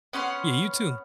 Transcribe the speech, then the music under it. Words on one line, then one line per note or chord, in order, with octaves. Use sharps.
Yeah, you too.
B3 C#4 F#5 C6